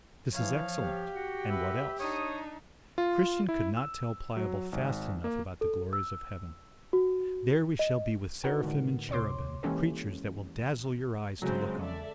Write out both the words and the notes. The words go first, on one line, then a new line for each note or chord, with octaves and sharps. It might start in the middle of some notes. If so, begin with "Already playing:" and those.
This is excellent; and what else?' Christian could not tell Pliable fast enough about the glories of heaven. 'There we shall be with seraphim and cherubim, creatures that will dazzle your eyes to look on them.
E3 F3 C#5 F5
G4
F#4 F#5
B4 E5
D4 D#4 C#5 D#6
F4
E4
E6
F#3
G#1
A#3
A4
E6
F#4
D#5
D#4 F#4 A#4 B4 F#5
A2 D3 G#3
C#2 C3 C#5 C6 D6
E3 G#3 A#3 C#4 G4 A4
C#3 F#3 G#3 C4
A4 D5 E5